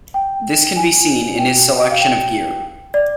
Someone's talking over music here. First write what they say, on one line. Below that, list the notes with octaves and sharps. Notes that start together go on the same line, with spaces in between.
This can be seen in his selection of gear.
G5
G#5
G5
F5
G5
D5